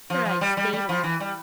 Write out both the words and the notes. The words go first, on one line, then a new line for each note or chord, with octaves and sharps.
Thrice daily.
F3
F3
G3
G3
G3
F3
E3
G3